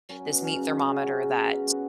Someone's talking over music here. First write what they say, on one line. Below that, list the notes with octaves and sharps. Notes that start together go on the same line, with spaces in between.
this meat thermometer that
F#3 C#4
B2
F#3 C#4
C#3
F#3 D#4 F#4
C#3
F#3 D#4 F#4
C#3
B3 F#4
C#3
B3 F#4